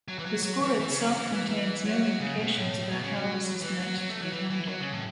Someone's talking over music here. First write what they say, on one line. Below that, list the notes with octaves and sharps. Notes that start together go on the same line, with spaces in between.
The score itself contains no indications about how this is meant to be handled.
F#3
E3
F#3
F#3
E3
E3
C#3
F#3
C#3
E3
E3
E3
F#3
F#3
C#3
B2
A2
B2
C#3
F#3
E3
F#3
F#3
A3
F#3
E3
E3
F#3
C#3
A2